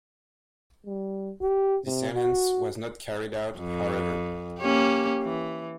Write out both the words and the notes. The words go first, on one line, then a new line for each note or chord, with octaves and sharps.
The sentence was not carried out, however.
G3
G4
C3
F#4
F2
A#3 C#4 G4
E3